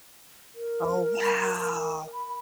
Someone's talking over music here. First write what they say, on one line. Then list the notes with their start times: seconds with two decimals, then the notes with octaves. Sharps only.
Oh, wow!
0.55 A#4
2.14 B5